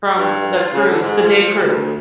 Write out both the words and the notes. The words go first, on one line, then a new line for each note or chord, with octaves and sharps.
from the cruise the day cruise.
G2
F4
C#3
D3
G#2
F3
F3
D2